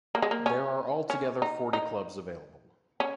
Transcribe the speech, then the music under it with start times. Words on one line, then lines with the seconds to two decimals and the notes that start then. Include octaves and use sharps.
There are altogether forty clubs available.
0.15 A#3
0.22 G#3
0.31 A#3
0.46 C#4
1.10 C#4
1.42 D#4
1.73 D#4
3.00 C#4